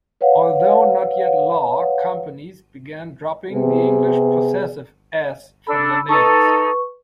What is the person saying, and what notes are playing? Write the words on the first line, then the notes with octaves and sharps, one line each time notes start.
Although not yet law, companies began dropping the English possessive "s" from their names.
B4 C#5 F5 F#5
C3 B3 G#4
D4 A4 B5 E6
D#4 A4 B4 C#6